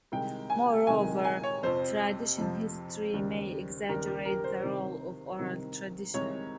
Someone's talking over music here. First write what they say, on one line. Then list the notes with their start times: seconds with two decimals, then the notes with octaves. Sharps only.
Moreover, tradition history may exaggerate the role of oral tradition.
0.12 C2 C3 D#3 G#3 G5
0.50 G#5
0.87 C2 C3 D#3 G#3 G#5
1.25 G#5
1.44 C#5
1.63 F2 C3 F3 C5
2.37 F2 C3 F3
3.14 D#2 C#3 G3
3.89 D#2 C#3 G3 A#4
4.08 G4
4.25 A#4
4.44 C5
4.63 C2 C3 D#3
5.39 C2 C3 D#3
6.14 C2 C3 D#3 G#3 C#5